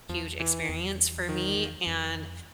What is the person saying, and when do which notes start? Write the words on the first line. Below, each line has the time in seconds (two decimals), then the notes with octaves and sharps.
huge experience for me, and
0.09 E2 F3
0.40 E3
0.69 E2
1.29 D#3
1.87 F2